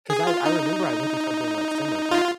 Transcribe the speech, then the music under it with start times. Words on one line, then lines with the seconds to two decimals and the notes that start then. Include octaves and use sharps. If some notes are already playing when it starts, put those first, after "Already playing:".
'cause I I remember I went through something, like, similar to that.
0.10 G#4
0.27 F4
0.46 D#4
2.11 F4